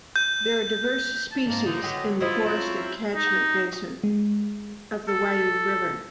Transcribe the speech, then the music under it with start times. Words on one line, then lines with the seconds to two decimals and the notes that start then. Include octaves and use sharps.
There are diverse species in the forested catchment basin of the Waiau River.
0.16 G6
1.32 A5
1.46 D2 G#2 A#3
1.66 A2 D3 A#3 D#4
1.82 D3 F#3 B3 G4 D#5
2.21 D3 B3 E4 F4 C5 D#5
2.46 F#3 C4 C#4 E4
3.15 D#4
4.04 G#3
5.08 A4